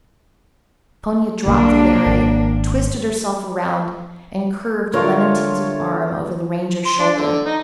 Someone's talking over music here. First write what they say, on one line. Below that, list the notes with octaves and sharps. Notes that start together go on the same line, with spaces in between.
Tonia dropped the lariat, twisted herself around, and curved a lemon- tinted arm over the ranger's shoulder.
B1 D3 A#3 D4
G#1
D3 G3 A3 F4 A#4 C#5
C6
D4
D3
D#4